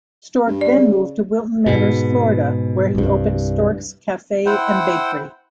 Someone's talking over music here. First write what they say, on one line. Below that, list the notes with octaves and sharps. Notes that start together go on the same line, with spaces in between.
Stork then moved to Wilton Manors, Florida; where he opened Stork's Cafe and Bakery.
G2
D5
C#3
G#2 B2
C2 G2
E4 C5 F#5 G5